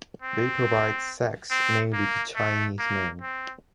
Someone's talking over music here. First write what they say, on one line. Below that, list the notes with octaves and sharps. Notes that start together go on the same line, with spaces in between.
They provide sex mainly to Chinese men.
C4
C4
A#3
A3
A#3
C4